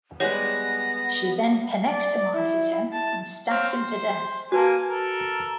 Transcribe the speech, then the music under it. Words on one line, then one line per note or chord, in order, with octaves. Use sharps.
She then penectomises him and stabs him to death.
G3 G#3 B3 B4 C#5 F#5 A#6
D5
E4
A5
C4 C#5 F5
C5
A#3 F#4 B4 G#5 A5
A4 A#4